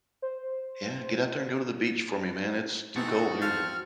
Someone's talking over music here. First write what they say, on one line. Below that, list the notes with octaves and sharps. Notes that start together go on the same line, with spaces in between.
Yeah, get out there and go to the beach for me, man. It's too cold here.
C5
E3 C4 D#4 F#4 G#4 A4
E2 F3 C4 A5 F6